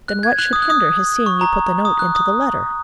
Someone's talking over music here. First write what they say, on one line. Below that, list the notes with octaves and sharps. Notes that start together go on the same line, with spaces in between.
"Then what should hinder his seeing you put the note into the letter?"
F#6
G#6
F#6
D#6
F#6
D#6
C#6
A#5
D#6
F#6
D#6